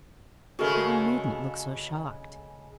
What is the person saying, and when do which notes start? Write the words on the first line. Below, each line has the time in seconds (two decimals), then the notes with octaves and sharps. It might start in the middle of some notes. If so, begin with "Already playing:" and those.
But you needn't look so shocked.
0.59 C#3 G#3 A3 F#4 A4 A#4